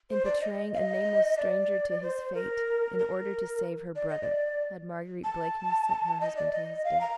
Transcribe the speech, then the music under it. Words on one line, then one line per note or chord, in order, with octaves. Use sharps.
In betraying a nameless stranger to his fate in order to save her brother, had Marguerite Blakeney sent her husband to his death?
C5
D5
D#5
F5
D#5
D5
C5
A#4
A#4
D5
D#5
D5
A5
D#5
D5
D#5
F5
A#5